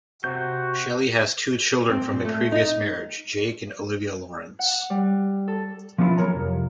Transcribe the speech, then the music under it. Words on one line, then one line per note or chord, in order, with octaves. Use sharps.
Shelley has two children from a previous marriage, Jake and Olivia Lawrence.
C3 C4 F#4 G6
C4
A#2
A3
D#4
F#5
G3
A4
F3 B3 C#4 D4 E4 F4
F#3 A#4 C#5 A#5
C2 F2